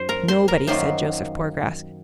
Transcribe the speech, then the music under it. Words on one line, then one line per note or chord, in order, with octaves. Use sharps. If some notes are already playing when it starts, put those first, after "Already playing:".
"Nobody," said Joseph Poorgrass.
Already playing: F#2 C5 C6
A#4 A#5
C5 C6
A#4 A#5
F#2 D#3 F#3 A#3 F4 C5 C6